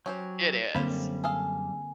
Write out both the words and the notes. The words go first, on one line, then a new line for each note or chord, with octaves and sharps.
It is.
F#3 C#4 G4 C5
F#2 D3 G3 A#3 C4 C5 F5 B5
G#4 A4 F5 G#5